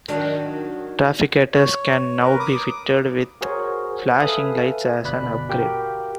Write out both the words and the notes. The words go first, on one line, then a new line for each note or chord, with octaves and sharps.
Trafficators can now be fitted with flashing lights as an upgrade.
D#3 F#3 D4
C#5
A#4 B4
D6 D#6
F#4 G#4 A#4 C5 C#5
A4 B4 E5 F5 G#5 D#6
G1 B2 D5 B5 F#6
F#4 G4 A#4 F5 G5